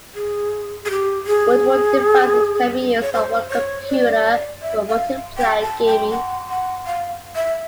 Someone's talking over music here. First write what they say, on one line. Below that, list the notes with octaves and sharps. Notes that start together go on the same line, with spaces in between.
Multiple devices can be used on one computer for multiplayer gaming.
G#4
G#4
G4
G#4
C#5
C5
C#5
D5
E5
F5
G5
A5
G5
F#5
F#5
F5
E5